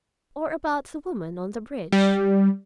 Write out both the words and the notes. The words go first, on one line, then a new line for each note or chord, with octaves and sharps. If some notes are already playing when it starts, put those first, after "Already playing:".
Or about the woman on the bridge?
G3